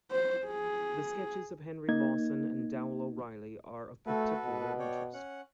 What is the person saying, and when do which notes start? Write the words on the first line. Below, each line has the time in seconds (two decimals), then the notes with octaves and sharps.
The sketches of Henry Lawson and Dowell O'Reilly are of particular interest.
0.11 C5
0.46 G#4
1.88 A#3 D#4 G#6
4.07 A3 F#4 A4 B4
4.45 B2
4.79 C#5 D5 G5
5.13 C#4 F#5